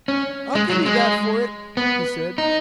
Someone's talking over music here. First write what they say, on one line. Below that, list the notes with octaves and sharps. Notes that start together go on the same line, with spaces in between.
"I'll give you that for it," he said.
C#4
G#3
F#3
G#3
B3
D#4